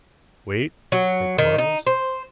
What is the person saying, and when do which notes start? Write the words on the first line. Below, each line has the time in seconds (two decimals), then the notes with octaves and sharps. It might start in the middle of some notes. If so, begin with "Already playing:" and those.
"Wait," said Quarles.
0.92 F#3
1.38 D#3
1.58 D#4
1.87 C5